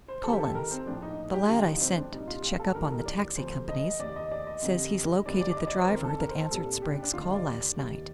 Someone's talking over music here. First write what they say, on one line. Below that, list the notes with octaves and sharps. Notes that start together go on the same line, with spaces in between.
Collins--the lad I sent to check up on the taxi companies--says he's located the driver that answered Sprague's call last night.
C5
C2 C3 D#3 G3 A4
G4
A4
A#4
C4
A#1 A2 F3 D4
D#4
G4
A1 G2 D3 F3 F4
D4
D#4
C4
D4
C2 A#2 G3 D#4
F4
G4
A4
A1 G2 D#3 G3 A#4
A4
A#4
D5
D2 C3 F3 C5
D#5
F1 D#2 D#3 D5
D#5
D5
D#5
F2 D3 G3
G1 G2 D#3 D5
D5
D5
D#5
D5
C5
G1 F2 D#3 A#4
A4
A#4
C5
A4
C2 A#2 G3 A4
G4
D4
D4
F1 D#2 D3 G3 F4
D#5
D5
F1 D#2 D#3 G3